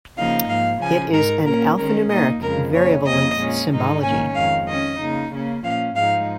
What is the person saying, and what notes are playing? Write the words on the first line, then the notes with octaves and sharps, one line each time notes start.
It is an alphanumeric, variable length symbology.
C#3 F3 A#3 D#4 F5
G#2 F3 A#3 F5
C#3 F3 C#4 G#5
G#2 G#3 D#4 A#4
A#2 A#3 C#4 A#4
D#3 G#3 C#4 A#4
A#2 A#3 D#4 D#5
F2 C#3 G#3 A#4
C#3 A#3 C#4 C#5
F2 C#3 A#3 D#5
A#2 G#3 C#4
G#2 D#3 G#3 D#4
D#3 A#3 C#4 G#5
F2 D#3 G#3 F5
D#3 C#4 D#5
C#3 A#3 D#4
C#3 A#3 C#4
A#2 F3 C#4 F5
G#2 F3 G#3 D#4 F5